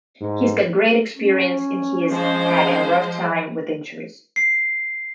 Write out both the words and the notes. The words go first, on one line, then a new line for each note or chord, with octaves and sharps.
He's got great experience and he's had a rough time with injuries.
G#2
C#4
F3 G#3 C5
C7